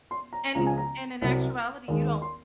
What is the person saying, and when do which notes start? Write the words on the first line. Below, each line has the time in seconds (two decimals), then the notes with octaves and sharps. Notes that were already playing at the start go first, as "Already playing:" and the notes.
and and in actuality, you don't
0.11 C6
0.33 A#5
0.55 C#2 C#3 F3 G#3 A#5
0.67 G#5
0.78 A#5
1.22 C2 C3 F#3
1.88 D#2 D#3 G#3
2.22 C6